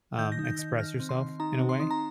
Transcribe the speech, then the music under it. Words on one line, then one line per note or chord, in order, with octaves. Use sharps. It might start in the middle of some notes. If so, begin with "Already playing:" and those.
um, express yourself in a way.
D#3 G6
A#6
D#4
G6
D#3
D#3 F6
C4
C6
D#3
D#4 A#5
C4
C6
D#4 C6
A#5